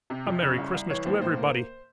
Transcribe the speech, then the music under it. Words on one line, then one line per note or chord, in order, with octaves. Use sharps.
A merry Christmas to everybody!
C3
F2
C#3
C2
C2
E3 C#5
D#2 C5
A2 C5
A#3